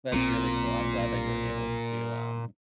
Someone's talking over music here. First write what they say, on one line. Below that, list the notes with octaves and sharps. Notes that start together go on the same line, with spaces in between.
That's really cool, I'm glad that you're able to, um
B1 A#2 G3 C4